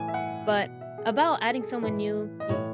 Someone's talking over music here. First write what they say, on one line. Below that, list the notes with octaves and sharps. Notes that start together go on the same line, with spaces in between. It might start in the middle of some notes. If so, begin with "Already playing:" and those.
but about adding someone new, you
Already playing: A2 E3 G#5
E5
F#5
B2
E5
G#4
A4
B2
A4
G#4
A4
A2 E3 B4
D#5
A2 E3 C#5